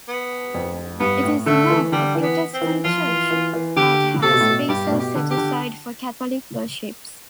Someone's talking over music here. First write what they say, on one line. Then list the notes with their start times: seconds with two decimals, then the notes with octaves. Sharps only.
It is now a Protestant church, but has spaces set aside for Catholic worship.
0.08 B3
0.54 F2
1.00 G2 B3
1.23 A2
1.46 D3 A3
1.70 E3
1.92 D3 G3
2.15 E3
2.23 B3
2.54 C4
2.61 E3
2.84 F3 F4
3.07 E3
3.31 E3
3.53 E3
3.76 D3 G4
4.22 C3 A4
4.32 B2
4.40 A2
4.49 B2
4.69 G2 G4
4.87 A2
4.92 B2
5.00 G4
5.15 D3
5.31 G4
5.38 D3